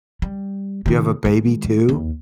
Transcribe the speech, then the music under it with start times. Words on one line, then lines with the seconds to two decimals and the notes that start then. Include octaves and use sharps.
You have a baby too?
0.22 G3
0.86 C3 D#3
1.25 D#3 G#3
1.89 D#2